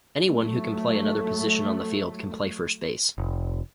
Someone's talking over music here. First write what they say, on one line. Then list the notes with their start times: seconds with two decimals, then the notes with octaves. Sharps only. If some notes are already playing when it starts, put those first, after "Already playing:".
Anyone who can play another position on the field can play first base.
0.23 F#3 A3
3.18 F1